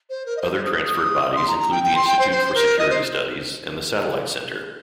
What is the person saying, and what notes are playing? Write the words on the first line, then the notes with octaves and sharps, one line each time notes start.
Other transferred bodies include the Institute for Security Studies and the Satellite Centre.
C5
A#4
D#5
C5
D#6
D#6
C6
A#5
A#5
G5
G5
C6
G5
C5
C5
A#4
D#5
C5